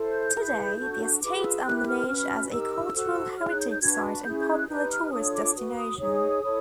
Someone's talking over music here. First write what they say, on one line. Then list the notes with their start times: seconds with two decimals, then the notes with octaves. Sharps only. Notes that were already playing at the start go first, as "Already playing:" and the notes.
Today the estates are managed as a cultural heritage site and popular tourist destination.
Already playing: E4 A4 C5
0.12 G6
0.34 E4 G#4 B4
0.78 D4 F#4 A4
1.21 F4 G#4 B4 D6
1.43 E6
1.65 E4 G4 A#4 F#6
1.86 F6
2.08 C#4 F#4 B4
2.51 D#4 G4 A#4 E6
2.94 F#4 A4 C5
3.38 D#4 G#4 C#5 F6
3.49 F#6
3.60 G6
3.70 G6
3.81 D4 F#4 B4 G#6
4.24 C#4 E4 G#4 G6
4.39 G6
4.54 F#6
4.68 D#4 G4 B4 G6
4.90 F6
5.12 D4 F4 A4 C#5 D#6
5.33 D6
5.54 F#4 B4 D#6
5.77 D#6
5.98 D#4 G#4 C#5 D#6
6.42 E4 A4 C#5